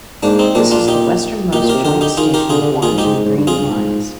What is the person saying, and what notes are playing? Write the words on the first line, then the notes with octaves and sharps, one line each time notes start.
This is the westernmost joint station of Orange and Green lines.
G#2 A#3 D4
C4 D#4
A#2 A#3 D4
D4 F4
D#4 G4
A#2 D#4 G4
A#2
G4 A#4
C3
D3 G4 A#4
D#4 G4
D#3 F4 G#4
G4 A#4
D3 F4 G#4
D3
C3
A#2 F4 G#4
G#2
D#4 G4
G#2
G#2
G#2
G2
F2 F4 G#4
G2
G#2